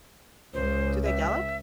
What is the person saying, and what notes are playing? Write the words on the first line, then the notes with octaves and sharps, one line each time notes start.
Do they gallop?
C#2 C5
E5